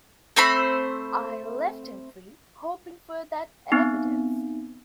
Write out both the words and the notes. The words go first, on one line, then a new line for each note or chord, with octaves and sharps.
I left him free, hoping for that evidence.
A3 C4 C5 B5
B3 C4 D#4